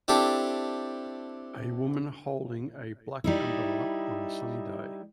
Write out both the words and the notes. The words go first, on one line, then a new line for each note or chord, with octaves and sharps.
A woman holding a black umbrella on a sunny day.
C4 D4 E4 G4 A4
G3 D#4 E4